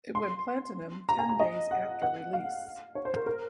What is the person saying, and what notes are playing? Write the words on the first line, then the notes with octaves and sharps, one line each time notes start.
It went platinum ten days after release.
C6
A#5
G#5
A#5
D#5
F#5
F#5
F5
C#5
C5
A#4
A#4